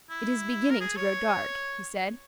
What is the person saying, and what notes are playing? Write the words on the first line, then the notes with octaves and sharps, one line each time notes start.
"It is beginning to grow dark," he said.
E4
A#4
G#4
C#5